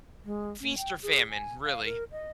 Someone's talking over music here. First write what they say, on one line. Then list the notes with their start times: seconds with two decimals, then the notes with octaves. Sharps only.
feast or famine, really.
0.25 G#3
0.61 C#4
0.78 G5
1.03 G#4
1.30 G#5
1.64 F5
1.84 A#4
2.12 D#5